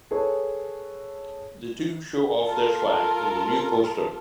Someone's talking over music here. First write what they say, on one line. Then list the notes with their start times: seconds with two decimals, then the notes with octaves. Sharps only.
The two show off their swag in the new poster.
0.11 G#4 A4 B4 C#5
2.45 F4 A4 A#4